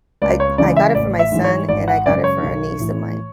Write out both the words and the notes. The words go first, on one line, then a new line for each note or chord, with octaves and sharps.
I I got it for my son and I got it for a niece of mine,
C#2 D5
C#5
C#3 E3 G#3 D5
E5
A1 D5
E5
G#2 E3 G#3
C#5
G#1 D5
F#5
F#2 C#3 G#3 D5
C#5
B1
A2 E3